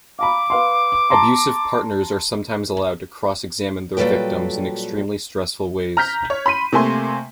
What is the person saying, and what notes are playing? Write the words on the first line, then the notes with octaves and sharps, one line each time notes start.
Abusive partners are sometimes allowed to cross examine their victims in extremely stressful ways.
F5 A#5 B5 D6
B4 F5 C6
A5 A#5 C6
A#2 F#3 G3 A4 B4 G5
A#5 F6 G6 B6
C#5
B5 C6 B6 D#7
C3 A3 A#3 G#5 C6